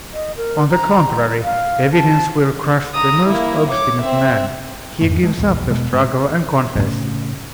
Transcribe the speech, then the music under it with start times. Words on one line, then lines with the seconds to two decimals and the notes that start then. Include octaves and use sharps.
On the contrary, evidence will crush the most obstinate man; he gives up the struggle, and confesses.
0.13 D#5
0.37 A#4
0.70 A#5
1.44 F5
1.92 A5
2.94 A#5 D#6
3.28 A#3 E4
3.69 C#5 D6
4.02 C4 E5
5.01 E1 F2 G#2 A3
5.23 G#3 A3
5.38 D1 A#1 E2
5.71 E1 B2 G#3 B3
5.93 G#2 C3 G#3
6.75 A2 C#3